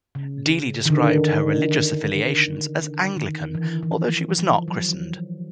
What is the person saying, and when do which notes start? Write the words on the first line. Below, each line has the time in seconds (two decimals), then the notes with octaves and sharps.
Deeley describes her religious affiliation as Anglican, although she was not christened.
0.15 C#3
0.85 D#3
0.90 D3
3.17 D#3
3.55 E3
3.83 E3
3.92 F3
4.30 F3
4.68 F#3